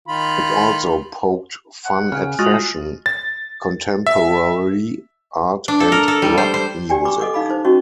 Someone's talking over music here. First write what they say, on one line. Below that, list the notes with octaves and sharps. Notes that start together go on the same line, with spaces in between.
It also poked fun at fashion, contemporary art and rock music.
D#3 F4 B5
F#5
C#3 G#5 F6
G#3 F4 F#4 D#6 A6
A6
E5
D4
A4
A#4
A4
G3
C5
C5
G4 D5 G5 G#5
A#5 B5 C#6 D6
A4 D#5 F#5 D6 D#6
D#4 F5 B5
D#4 C5
C#4 F#4 D#5 C#6